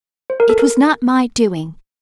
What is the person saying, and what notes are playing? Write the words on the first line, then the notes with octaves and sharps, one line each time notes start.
"It was not my doing."
C5
A#4
A4
A#4